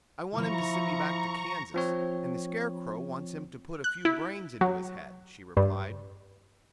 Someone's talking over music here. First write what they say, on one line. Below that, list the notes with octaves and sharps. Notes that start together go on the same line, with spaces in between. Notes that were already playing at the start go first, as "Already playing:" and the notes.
"I want him to send me back to Kansas, and the Scarecrow wants him to put a few brains into his head," she replied.
F3 E4 A#5 C#6
F3 C4 C#5
F#6
E4
F#3
G2